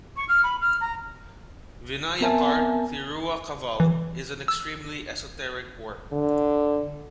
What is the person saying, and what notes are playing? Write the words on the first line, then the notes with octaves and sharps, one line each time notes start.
Vinayakar Thiruakaval is an extremely esoteric work.
C#6
F6
B5
F6
A#5
B3 C4 A#4 E5 G#5 A5
E3
E6
D3